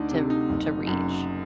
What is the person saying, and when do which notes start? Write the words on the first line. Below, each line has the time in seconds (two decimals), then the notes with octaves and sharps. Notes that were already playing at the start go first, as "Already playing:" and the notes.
to to reach."
Already playing: D2 D4 D#4
0.11 C3
0.30 D#4
0.50 F#1
0.87 F#2